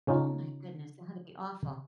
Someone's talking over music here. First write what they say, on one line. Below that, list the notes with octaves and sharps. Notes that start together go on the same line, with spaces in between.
Oh my goodness, that had to be awful.
C#3 C#4 D#4 F4